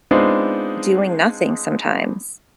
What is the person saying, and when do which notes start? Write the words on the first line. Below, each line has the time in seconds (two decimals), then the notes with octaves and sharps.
doing nothing sometimes.
0.11 G#3 B3 C4 D4 D#4 F4